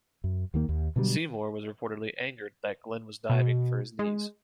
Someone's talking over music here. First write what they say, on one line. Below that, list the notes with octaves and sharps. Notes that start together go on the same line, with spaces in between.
Seymour was reportedly angered that Glenn was diving for his knees.
F#2
D#2 D#3 A#3
D#2
B2 D3 F#3 G3
B2
G#3